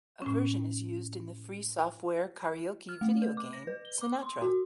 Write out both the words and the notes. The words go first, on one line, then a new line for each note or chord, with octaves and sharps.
A version is used in the free software karaoke video game Sinatra.
A2 C#4
F6
A3
B4
D6
A#6
B4
G7
D6
C6
F#4